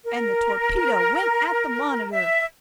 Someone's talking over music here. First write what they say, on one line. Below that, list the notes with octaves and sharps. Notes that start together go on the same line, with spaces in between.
"And the torpedo went at the monitor!"
A#4
E5